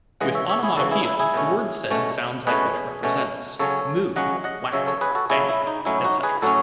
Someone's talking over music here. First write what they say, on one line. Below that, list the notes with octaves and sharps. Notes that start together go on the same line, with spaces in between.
With onomatopoeia the word said sounds like what it represents: Moo, Whack, Bang, etc.
C#3 E3 G#3 D#5 F#5
C#5 E5
C#5 E5
E4 G#4
C#3 E3 G#3 F#4 A4
E4 G#4
E4
E4 G#4
B2 A3 C#4
B2 A3 C#4
B2 A3 C#4 G#4 B4
B2 A3 C#4
C#3 F#3 C#4 A4 C#5
C#3 F#3 C#4 D#5 F#5
D#5 F#5
C#3 F#3 C#4 C#5 E5
A4 C#5
G#4 B4
F#4 A4
C#3 F#3 C#4 E4 G#4
E4
D#4
A2 F#3 C#4 E4
D#4 F#4
G#4 B4
A2 F#3 C#4 F#4 A4